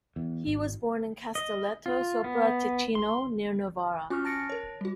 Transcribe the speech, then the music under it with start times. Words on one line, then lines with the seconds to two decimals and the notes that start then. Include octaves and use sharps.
He was born in Castelletto sopra Ticino, near Novara.
0.16 E2
0.45 G#1
1.35 D#5
1.86 F4
2.24 B3
2.95 C6
4.10 C#4 F4 F#4 C#6 F6 F#6
4.25 A5 F6 A6 A#6 C#7 D7
4.50 A#4 C#5
4.81 G3 F#4